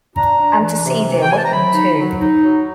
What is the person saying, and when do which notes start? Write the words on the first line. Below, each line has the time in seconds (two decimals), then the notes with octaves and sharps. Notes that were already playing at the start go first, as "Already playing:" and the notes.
And to see dear Wickham too!
0.16 D4 A#5
0.39 D4
0.61 E3
0.84 C3
1.06 E3
1.23 G5
1.29 C3 G#5
1.37 A5
1.44 A#5
1.52 F#3 B5
1.74 D#4
1.97 F#3
2.20 D#4
2.42 F#3